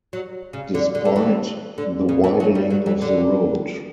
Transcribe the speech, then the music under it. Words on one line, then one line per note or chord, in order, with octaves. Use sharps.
Despite the widening of the road.
F#3
C#3
D3
D3
D3
E3
D3
C#3
E3
F#3
G3
F#3
E3
D3